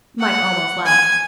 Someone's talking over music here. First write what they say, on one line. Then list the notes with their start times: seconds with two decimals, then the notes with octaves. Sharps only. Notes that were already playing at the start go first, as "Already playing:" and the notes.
Mike almost laughed.
0.20 F#5
0.85 G#5